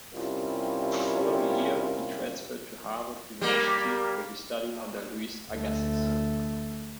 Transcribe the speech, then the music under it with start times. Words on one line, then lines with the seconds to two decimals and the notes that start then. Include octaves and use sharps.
The following year, he transferred to Harvard University, where he studied under Louis Agassiz.
0.13 C3 G3 C#4 E4 F4 A#4
3.41 G3 A#3
5.51 D2 A3